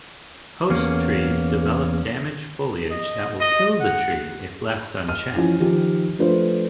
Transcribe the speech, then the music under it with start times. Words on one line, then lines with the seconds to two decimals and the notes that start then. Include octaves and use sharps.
Host trees develop damaged foliage that will kill the tree if left unchecked.
0.70 E2 A#3 C#4
2.91 D#5
3.40 D#5
3.80 F#5
5.09 F6 D#7
5.35 E3 F3 C#4 G#5
5.60 D#3 F3 D#4 G4
6.19 F3 A3 D4 F4 B4 C5